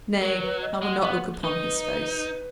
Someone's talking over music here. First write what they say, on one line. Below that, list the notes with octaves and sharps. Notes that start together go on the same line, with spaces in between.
Nay, I will not look upon his face.
F#3 A#4
B4
D#5
G#3 F#5
B3
D#4 B4
B4
B4
B4